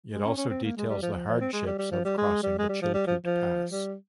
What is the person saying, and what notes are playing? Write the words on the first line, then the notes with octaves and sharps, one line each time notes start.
It also details the hardships of crossing the Chilkoot Pass.
G#3
C#4
C#4
C4
A#3
G#3
G3
F3
F3
F3
C4
G#3
G3
G3
F3
G3
G#3
G3
G#3
G3
F3
G3
F3
F3
G3